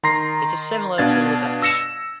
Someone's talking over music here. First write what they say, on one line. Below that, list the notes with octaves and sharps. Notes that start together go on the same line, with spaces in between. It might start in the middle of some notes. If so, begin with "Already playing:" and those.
It is similar to the Leveche.
D#3 A#5 C6 A#6 C7
B2 D4 F5 G#6 A6
E6 A#6 C#7 E7